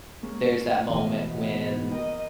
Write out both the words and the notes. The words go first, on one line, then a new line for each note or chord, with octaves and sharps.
There's that moment when
G#3 A#3 C#4
E2 B2 E3 F3 D#5
B3
A#4 D#5 G5